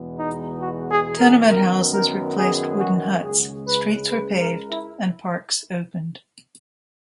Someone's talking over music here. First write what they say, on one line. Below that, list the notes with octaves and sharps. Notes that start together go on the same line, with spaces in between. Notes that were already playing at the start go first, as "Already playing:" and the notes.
Tenement houses replaced wooden huts, streets were paved and parks opened.
Already playing: E2 B2 G#3 B3
D#4
F#4
G#4
A#4
F#2 D#3 F#3 B3 A#4
A#4
G#4
F#4
C#2 C#3 G#3 G#4
B4
B4
A#4
E4